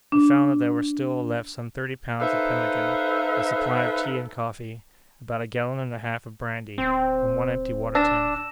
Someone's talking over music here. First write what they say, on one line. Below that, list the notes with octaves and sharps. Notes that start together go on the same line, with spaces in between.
He found that there were still left some thirty pounds of pemmican, a supply of tea and coffee, about a gallon and a half of brandy, and one empty water-tank.
D4
D#4 A4 B4 C5 E5 F5
D1 C4
D4 E6 A#6 E7